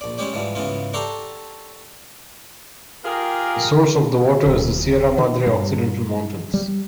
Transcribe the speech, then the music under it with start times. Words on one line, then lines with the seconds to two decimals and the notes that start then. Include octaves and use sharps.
The source of the water is the Sierra Madre Occidental mountains.
0.01 A#1 D5
0.18 G3 G#3 C#4 G4 D5
0.33 G#2 E3 F3 G3
0.55 G#2 C#3 E3 B3 F4
0.94 D4 F#4 G4 A4 A#5 C6
3.04 F4 G4 G#4 A#4
4.46 D1
5.18 D#3
5.46 G2
6.54 G3